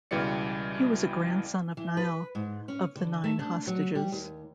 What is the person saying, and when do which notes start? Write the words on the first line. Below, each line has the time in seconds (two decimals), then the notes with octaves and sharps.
He was a grandson of Niall of the Nine Hostages.
0.11 C#2 B2 E3 G3 D5 C#7
1.77 E3
1.97 B4
2.35 G#2
2.68 C#4
2.96 D3
3.24 A3
3.39 D4
3.67 F#3
3.95 G3
4.12 D#2